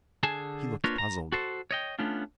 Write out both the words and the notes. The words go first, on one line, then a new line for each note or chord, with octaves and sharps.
He looked puzzled.
D3 G#4 G#5 A5
A#3 D4 F4 A#4 B4 C#5
A#5
F#4 A4 C5
C#5 D#5 G5
A3 B3 C#4 D4 F4